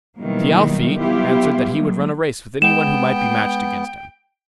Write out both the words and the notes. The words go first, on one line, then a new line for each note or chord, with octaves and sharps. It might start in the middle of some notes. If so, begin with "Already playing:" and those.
Thialfi answered that he would run a race with any one who might be matched against him.
B2 D#3 E3 F#3 G3 A#3
F#3 G3 B3 E4 F4 G4
F#3 G#3 A#3
G#3 B3 G5 E7